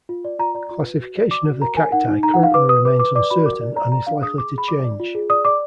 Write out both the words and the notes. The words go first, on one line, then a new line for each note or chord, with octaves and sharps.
Classification of the cacti currently remains uncertain and is likely to change.
F4
D5
F4 A#5
D5 A#5
F4
B4
F#4
D5
D5 D6
F#4
A#4 A#5
A#4 G#5
D#4 F#5
D#4
D#4 A#5
F#5
D#4 F5
B4 D6
B4 D#6
B4 D6
B4 D6
D5 D6
F#4 B5
A#4 D6
D5
D5 A#5
D5 A#5
D4 F5
G#4 D#6
G#4 D6
G#4 B5
D5 D6
D5
F4
G#4
D5 D#6
D5 D6